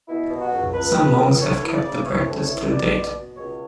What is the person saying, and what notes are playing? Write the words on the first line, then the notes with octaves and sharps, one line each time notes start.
Some monks have kept the practice till date.
B2 E4
B2
F#4
C#2
C#2 B4
C#2
C#2
D2 C#5
E3
D5
C#3
E3 C#5
D2
C#5
E3
B2 D5
B2
B2
C#2 C#5